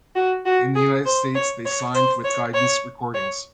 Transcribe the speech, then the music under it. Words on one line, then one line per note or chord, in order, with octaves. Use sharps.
In the United States, they signed with Guidance Recordings.
F#4
F#4
G#4
C5
C#5
C#5
C5
C#5
C#5
C#5